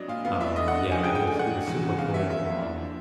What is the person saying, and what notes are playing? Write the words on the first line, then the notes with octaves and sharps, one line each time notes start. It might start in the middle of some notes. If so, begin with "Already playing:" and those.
um, yeah, it was it was super cool. Um,
Already playing: F#3 B3 D4 D#5
A#2 F5
B3 F5
D4 E5
A3 D#5
D4 F#5
F3 G#5
C#3 G5
A3 G5
G#5
D4 F#5
F#3
E2
C#3
E2 F5
F#3 E5
E2 E5
A#3
D4
F3